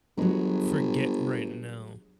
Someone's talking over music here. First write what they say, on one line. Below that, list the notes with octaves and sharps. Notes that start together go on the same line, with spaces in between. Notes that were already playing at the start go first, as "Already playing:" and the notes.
forget right now.
G1 F#3 G#3